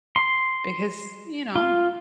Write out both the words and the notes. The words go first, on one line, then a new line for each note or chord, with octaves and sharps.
Because, you know,
C6
F4